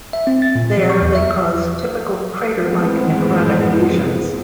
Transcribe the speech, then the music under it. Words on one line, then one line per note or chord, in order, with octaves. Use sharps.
There, they cause typical crater-like necrotic lesions.
E5
C4
A6
A#2
F3
C#6
E2
E5
F#2 A2 E3 G#3 B3 C4